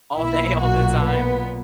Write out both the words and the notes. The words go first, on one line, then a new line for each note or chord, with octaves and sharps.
all day, all the time?
B1 A#2 E4
F#4
B3